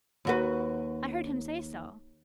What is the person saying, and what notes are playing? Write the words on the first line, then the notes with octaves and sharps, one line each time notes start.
I heard him say so.'
D#2 F#4 B4